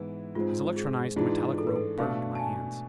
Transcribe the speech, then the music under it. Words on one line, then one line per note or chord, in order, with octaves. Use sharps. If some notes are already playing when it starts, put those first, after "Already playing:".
His electronized metallic robe burned my hands.
Already playing: G#2 E3 B3 E4
G#2 G#3 C4 F4
G#4
G#2 E3 G#3 D4 F4
A4
B4
A4
B2 A3 D4 F5
A5
G#5